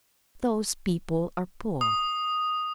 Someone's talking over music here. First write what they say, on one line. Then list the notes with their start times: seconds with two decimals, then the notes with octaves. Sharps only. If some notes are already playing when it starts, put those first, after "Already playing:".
Those people are poor.
1.81 D#6